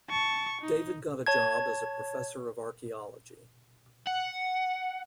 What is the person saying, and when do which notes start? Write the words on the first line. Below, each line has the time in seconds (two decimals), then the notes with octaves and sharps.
David got a job as a professor of archaeology.
0.10 A5 C#6
0.61 D#4
1.26 C#5 A5 G#6
4.07 F#5